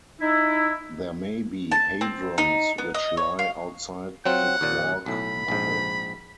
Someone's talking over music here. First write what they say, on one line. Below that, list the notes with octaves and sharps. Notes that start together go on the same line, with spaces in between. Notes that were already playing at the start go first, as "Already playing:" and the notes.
There may be hadrons which lie outside the quark model.
D#4 E4
A5
C4
D#4
B3
D#5
C#5
F5
F#3 C4 F4 F#5
D#2 A#2
B1 A2 B5
A#1 G#2